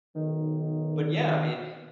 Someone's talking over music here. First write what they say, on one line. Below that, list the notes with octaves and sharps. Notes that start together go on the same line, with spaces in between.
But, yeah, I mean,
B1 D#3